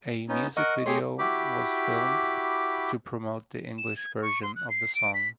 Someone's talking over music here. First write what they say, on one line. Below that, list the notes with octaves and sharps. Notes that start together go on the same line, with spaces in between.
A music video was filmed to promote the English version of the song.
B3 C#4 D#4
A#4 D#5 F#5 C#6
A3 G4 G#4 C#5 C6
E4 F#4 G4 B5 D6
E7
G#6
C#6
C6
F#6
C7
D7
B6